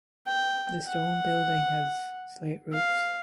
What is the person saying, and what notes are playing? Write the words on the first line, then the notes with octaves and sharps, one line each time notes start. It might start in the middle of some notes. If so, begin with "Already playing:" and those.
The stone building has slate roofs.
G5
F#5
F5